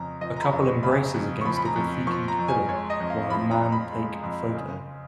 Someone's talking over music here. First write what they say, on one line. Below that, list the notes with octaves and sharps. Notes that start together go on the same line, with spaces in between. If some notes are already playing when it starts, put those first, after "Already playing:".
A couple embraces against a graffited pillar while a man take a photo.
Already playing: F2 C#3 A#5
F3 D#5
A#5
B5
F2
C#6
C#3 B5
F2
C#6
F3 B5
B5
A#5
F2
F3 C#6
A#5
F2
G#5
G#3 C#5
D#5
F2
F5
F3 B5
A#5
F2
B5
G#3
F2
C#3